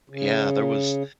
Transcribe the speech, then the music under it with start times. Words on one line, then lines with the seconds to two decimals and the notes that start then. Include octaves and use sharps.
Yeah, there was
0.10 C#3